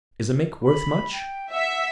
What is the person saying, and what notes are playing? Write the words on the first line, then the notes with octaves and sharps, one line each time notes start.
"Is a mink worth much?"
B5
G5
E5 F#5